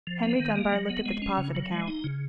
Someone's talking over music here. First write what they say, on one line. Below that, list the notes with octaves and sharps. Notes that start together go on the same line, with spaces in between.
Henry Dunbar looked at the deposit account.
F3
B3
D#3
A#3
F#3
B3
G#3
C#4
C#3
F#3
G#3
D#4
C#3